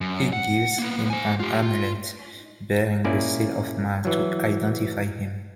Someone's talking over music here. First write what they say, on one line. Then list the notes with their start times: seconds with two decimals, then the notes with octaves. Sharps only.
He gives him an amulet bearing the seal of Mar to identify him.
0.01 F#2
0.33 F#5
0.79 A#3 B3
1.10 C5 G#5
1.40 F4 G4
1.62 F4
3.04 A#2 A#3 C#4 E4 G#4 D5
4.05 E3 F#3